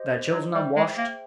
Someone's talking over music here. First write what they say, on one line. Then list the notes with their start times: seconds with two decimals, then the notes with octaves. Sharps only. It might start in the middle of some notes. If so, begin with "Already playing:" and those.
Their children unwashed.
Already playing: G4 C5 D#5
0.32 F#3
0.54 G3 G#4 C5 E5 G5
0.76 G#3
0.98 A#3